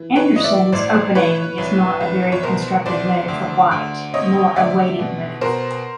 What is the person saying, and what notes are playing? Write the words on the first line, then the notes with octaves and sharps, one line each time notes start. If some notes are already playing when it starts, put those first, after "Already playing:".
Anderssen's Opening is not a very constructive move for White, more a waiting move.
Already playing: E3
B4 C#5
E3
D#5
D5 E5
A1 C5 D5
E3 B4 C#5
C2
C2
C#5
B2 A#4 C5
C2 C5 D5
D2
D2
C3 C#5 D#5
D2 D5 E5
B2
B2 A#4 C5